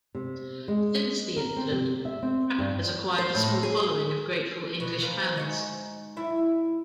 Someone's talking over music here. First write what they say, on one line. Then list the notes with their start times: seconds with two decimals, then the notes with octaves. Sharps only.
Since the incident, Pratt has acquired a small following of grateful English fans.
0.15 C3
0.68 G#3
1.36 A#4
1.57 C4
1.72 C3
2.05 E5
2.22 C4
2.59 G2
3.18 C5
3.35 A2
3.63 G#4
4.80 B2
5.00 G#2 F3 B3
5.36 G#2 D#4 F#4
6.16 F#2 E4